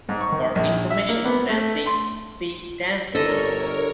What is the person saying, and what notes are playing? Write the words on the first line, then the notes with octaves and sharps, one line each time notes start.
For information on dancing, see "Dances".
G#2
C#6
D#3
A#1
E5
A#3
B3
A3
C6
G1 D3 A4 A#4 C#5 D#5